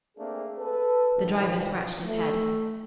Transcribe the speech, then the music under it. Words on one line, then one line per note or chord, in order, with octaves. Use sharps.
The driver scratched his head.
A3 A#3 C4 D4 G#4
A4 B4
G2 B2 D#3 F3
A3